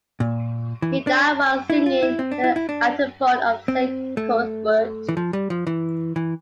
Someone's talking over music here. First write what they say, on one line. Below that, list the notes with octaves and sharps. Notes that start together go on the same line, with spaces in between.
He died while singing the antiphon of Saint Cuthbert.
A#2
E3
D4
E4
F4
E4
C4
D4
E4
E4
D4
C4
A3
E3
F3
G3
F3
E3
E3